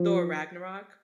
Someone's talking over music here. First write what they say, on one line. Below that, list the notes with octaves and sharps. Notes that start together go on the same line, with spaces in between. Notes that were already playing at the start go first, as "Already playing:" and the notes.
Thor: Ragnarok.
Already playing: F3